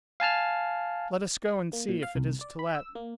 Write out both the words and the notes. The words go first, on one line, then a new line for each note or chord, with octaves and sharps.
"Let us go and see if it is to let."
F5 G#5 A5 F6
A#3
A#2
F5
C2
D5
B5
E6
A#3